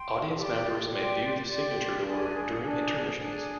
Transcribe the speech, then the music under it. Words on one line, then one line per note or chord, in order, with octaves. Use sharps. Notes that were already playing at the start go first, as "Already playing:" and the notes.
Audience members may view the signature door during intermissions.
Already playing: G5 C6
G4 D5 G5 C6
G4 D5 G5 C6
G4 D5 G5 C6
D4 G#4 D5 G#5
D4 G#4 D5 G#5
D4 G#4 D5 G#5